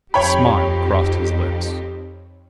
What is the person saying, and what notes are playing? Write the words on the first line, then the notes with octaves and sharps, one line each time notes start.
A smile crossed his lips.
F2 C4 D#4 G4 C#5 G5 B5